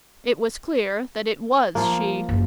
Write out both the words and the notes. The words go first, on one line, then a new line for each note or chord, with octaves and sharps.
It was clear that it was she.
F3 A#3
F#1